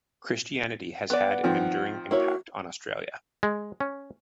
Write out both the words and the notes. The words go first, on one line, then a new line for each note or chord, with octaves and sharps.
Christianity has had an enduring impact on Australia.
B3 B4 D5 F#5
D#3 F3 C4
A#3 E4 F#4 C#5
G#3
C#4